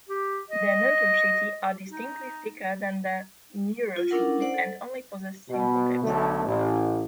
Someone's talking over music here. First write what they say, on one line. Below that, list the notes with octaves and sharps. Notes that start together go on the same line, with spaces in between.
The notochaetae are distinctly thicker than the neurochaetae and only possess simple tips.
G4
D#5
D#4
F4
C#4 D4 E4 A4 A#4 F#5
C5 D5 F#5
A4
B2
B1 D3 A3
A1